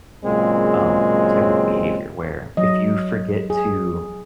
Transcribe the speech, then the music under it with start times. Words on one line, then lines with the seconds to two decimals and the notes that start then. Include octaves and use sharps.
um, type of behavior where if you forget to,
0.25 A#2 C#3 F#3 G#3 C4
2.57 F#3 D#5
3.50 G#4